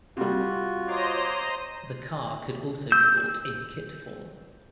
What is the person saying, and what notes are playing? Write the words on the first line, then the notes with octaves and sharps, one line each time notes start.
The car could also be bought in kit form.
C3 G3 F4 F#4
C5 C#5 D#5 A#5 C6 D6
E6 G6